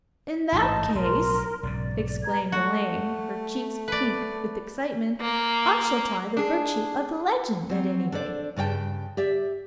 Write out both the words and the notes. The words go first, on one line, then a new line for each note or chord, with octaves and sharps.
"In that case," exclaimed Elaine, her cheeks pink with excitement, "I shall try the virtue of the legend, at any rate."
A1 G#2 D#4 D#5 A5
B1 A2 A#4 C6
B1 G#2 C#3 D5
B4 A#5 G#6
A3 F#4
B4 D5
A#3
D4 G#4
F#3 C4
D4 A4 C5 D5
G2 C#3 D5 G5 A5
G4 D5 E5